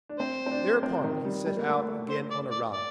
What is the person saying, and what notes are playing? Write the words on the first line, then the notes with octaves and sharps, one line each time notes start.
Thereupon he set out again on a run.
D4
C4 C5
C4
D4
C4
D#3
G3
G3
A#3
A3
A3
C5
D5
D5
D5